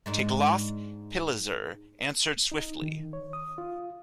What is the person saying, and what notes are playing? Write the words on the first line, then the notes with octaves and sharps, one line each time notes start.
Tiglath-Pileser answered swiftly.
G#2 G#3 D4
D#4
D#3
C#5
D#6
F4